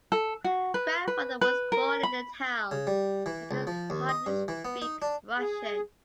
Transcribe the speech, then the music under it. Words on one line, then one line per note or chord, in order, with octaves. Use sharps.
Grandmother was born in the town and could hardly speak Russian.
A4
F#4
B4
B4
B4
A#4
B5
C#3
G3
E3
C#2
F3
D#2
D#5
G2
E3
B3
D#4
D4
G#4